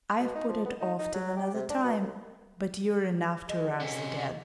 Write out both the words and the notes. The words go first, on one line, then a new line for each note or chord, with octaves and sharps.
I've put it off till another time, but you're enough to rouse the dead....
B2
D#4
F3
B3
D#4
D#4
F#3
G4
C3
D4
B2
C2
G#3 F#4 A4
C3 C#4